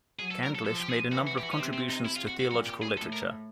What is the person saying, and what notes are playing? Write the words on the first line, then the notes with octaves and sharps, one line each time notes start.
Candlish made a number of contributions to theological literature.
F#3 G#4
A4
A#4
A4
F3 A4
G4
G#4
E3 F#4
F#4
G4
F#4
C#4
C3 C4
C4
D#4
E4
F4
F#4
F#4
A#2 F#4
G4
G#4
A2 A4
A#4